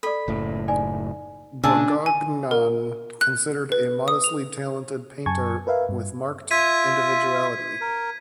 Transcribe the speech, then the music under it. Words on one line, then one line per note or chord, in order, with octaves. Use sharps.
Borgognone considered a modestly talented painter with marked individuality.
A4 D5 B5
F#1 A2
D#4 D5 G#5
A#2 C#3 D4 G#4 A5 E6
G#5
A#4
F#6
B4
D#6
F7
F#2 G#5 A5 C#6 G#6
A#4 B4 E5 F5
G2
F4 E5 G#6 B6 D#7
A#4